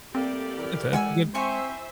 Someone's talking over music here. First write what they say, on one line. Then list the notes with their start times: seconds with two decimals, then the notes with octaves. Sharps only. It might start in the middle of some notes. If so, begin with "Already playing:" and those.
That's a that's a good
0.15 G3 A3 A#3 C4 G4 A4 D5
0.57 E3 A#4
0.93 G#3 F#5 G#5 E6
1.35 C4 E4 C5 E5 G#5 C#6